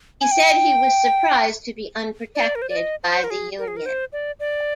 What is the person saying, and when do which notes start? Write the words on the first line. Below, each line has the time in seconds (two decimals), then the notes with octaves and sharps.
He said he was surprised to be unprotected by the Union.
0.21 G#5
0.31 G5
2.35 D5
2.55 A#4
2.62 C5
2.69 D5
2.76 D#5
3.04 C5
3.24 A#4
3.30 G#4
3.58 A#4
3.68 G#4
3.77 A#4
3.86 C5
4.13 D5
4.40 D5